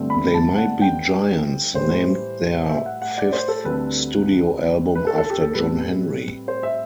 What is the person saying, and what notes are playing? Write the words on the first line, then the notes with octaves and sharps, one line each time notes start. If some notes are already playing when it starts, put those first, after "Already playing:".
They Might Be Giants named their fifth studio album after John Henry.
Already playing: G2 D3 A3 C4
B5
A5
F#5
G5
A2 E3 G3 C5
E5
F#5
F#5
D5
C5
A4
D2 D3 G3 C4 B4
B4
A4
A4
G4
A4
A2 G3 C4 B4
C5
E5